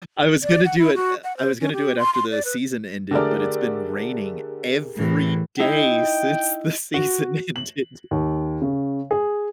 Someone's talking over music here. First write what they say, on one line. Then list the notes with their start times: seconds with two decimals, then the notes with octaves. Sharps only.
I was gonna do it Eh, I was gonna do it after the season ended, but it's been raining every day since the season ended.
0.43 D5
0.65 F#5
0.78 E4
0.95 F#4
1.24 F#5
1.37 C5
1.60 C#4
1.73 G4
1.99 C6
2.13 C6
2.31 D5
2.45 B4
3.11 D3 A3 G4 G#4 A#4 D5
4.95 A2 E3
5.59 D#4 E4 G5
6.94 F#4
7.56 F#7
8.11 D#2
8.62 C#3
9.11 G#4